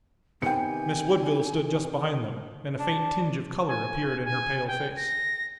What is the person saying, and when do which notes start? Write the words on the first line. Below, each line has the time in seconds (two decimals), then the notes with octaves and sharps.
Miss Woodville stood just behind them, and a faint tinge of color appeared in her pale face.
0.42 C3 D#3 B3 G5 G#5 C#7
2.79 D4
3.68 G#5
4.24 G#5
4.68 G5
4.97 A#6